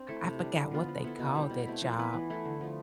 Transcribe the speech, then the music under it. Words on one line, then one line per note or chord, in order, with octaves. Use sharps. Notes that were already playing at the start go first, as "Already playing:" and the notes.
I forgot what they called that job.
Already playing: C4 D4
A3 E4 A4
C3
G3 D4
D3
F3 B3 F4
F3
B3 E4 A4
B2
G3 C4
B2
A3 C4 E4
F3
B3 E4 B4
E3
A3 E4 A4
D3
F3 A3